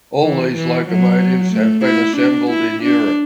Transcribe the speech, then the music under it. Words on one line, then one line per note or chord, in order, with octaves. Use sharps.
All these locomotives have been assembled in Europe.
E3
E3
F#3
A3
E4
D4
E4
D4